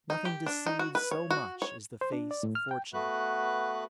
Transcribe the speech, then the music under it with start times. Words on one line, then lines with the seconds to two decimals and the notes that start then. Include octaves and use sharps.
Nothing deceives so much as the face of fortune.
0.10 D#4
0.25 G4
0.46 D4
0.66 D#4
0.79 F#4
0.95 B4
1.11 C#5
1.31 F#4
1.62 C#5
2.01 C5
2.12 D4
2.31 D5
2.43 A2
2.55 F6
2.71 G5
2.93 A3 B3 F#4 B4 F#6